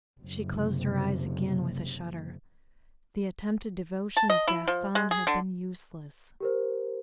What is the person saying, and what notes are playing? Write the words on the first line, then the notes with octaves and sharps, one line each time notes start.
She closed her eyes again with a shudder. The attempted devotion of Gaston had been useless.
F#1 C3
A5
D#5
E4
F3
G#3
G#4
D3
G4 A#4 C5